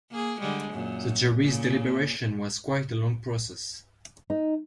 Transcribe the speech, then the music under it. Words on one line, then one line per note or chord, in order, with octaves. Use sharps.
The jury's deliberation was quite a long process.
A#3 G#4
D3 G3 G#3
F#2 A#2
A#2 C#3
D#4